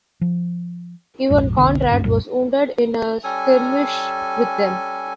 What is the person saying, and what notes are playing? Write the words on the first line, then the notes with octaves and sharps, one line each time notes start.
Even Conrad was wounded in a skirmish with them.
F3
A#1 F2 G#2
F1 B1 D3 B3
D1 G2 C4 D4
C2 F#2 A#2 G3
G3 C#4 A4 G#5